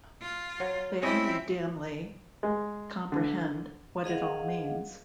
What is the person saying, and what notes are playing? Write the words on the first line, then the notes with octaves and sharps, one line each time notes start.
They only dimly comprehend what it all means.
F4
F#3
C4 C#4 E4 D#5
G#3
D3
G#4 D#5 F5 F#5